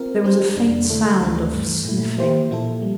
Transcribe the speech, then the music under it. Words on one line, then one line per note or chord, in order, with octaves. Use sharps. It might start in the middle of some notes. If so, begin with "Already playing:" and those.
There was a faint sound of sniffing.
Already playing: C4 F4 A#4
G3 D4 G4 C5
F2 C3 G3 D4
D3 A3 E4 A4
D2 C3 E3 A3 D4
G2 E3 A3
A#2 A3 E4
F3 A#3 E4 G4 C5
A#2 F3 A#3 E4 A4
G3